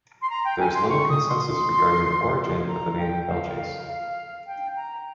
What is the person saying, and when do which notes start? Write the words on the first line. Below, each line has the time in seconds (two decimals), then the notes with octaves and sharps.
There is little consensus regarding the origin of the name Belle Chasse.
0.22 C6
0.30 A#5
0.45 G5
0.60 G#5
0.74 C6
0.89 C#6
1.09 D#6
1.29 C6
2.68 A#5
2.98 G5
3.28 F5
3.57 F5
3.87 F5
4.47 G5
4.76 A#5